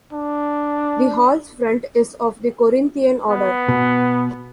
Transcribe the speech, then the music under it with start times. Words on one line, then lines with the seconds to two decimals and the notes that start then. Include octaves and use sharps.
The Hall's front is of the Corinthian order.
0.13 D4
3.30 B3
3.69 B2